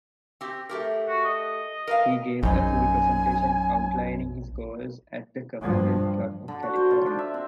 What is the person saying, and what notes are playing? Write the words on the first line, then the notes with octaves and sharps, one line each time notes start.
He gave a full presentation outlining his goals at the Commonwealth Club of California.
C4 G4
A3 G4 A#4
F#4
D#5
A#4 B4 F5
A#1 F#2 D#4 G#5
G2 F3
D3
F#4
C5
F4
D4
E5
C4